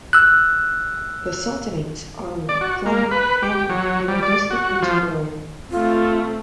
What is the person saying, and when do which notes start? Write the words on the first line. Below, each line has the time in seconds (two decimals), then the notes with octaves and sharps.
The Sultanates' army plundered Hampi and reduced it into ruin.
0.13 E6 F#6
2.49 D5
2.61 F#4
2.86 A#3
3.11 B4
3.43 G4
3.69 F#3
4.08 G3
4.23 D5
4.50 F#4
4.82 F3
5.71 A3 C4 F4